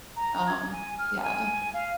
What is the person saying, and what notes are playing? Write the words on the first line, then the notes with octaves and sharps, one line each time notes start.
um, yeah.
A#5
G#6
G#5
F6
G#5
F5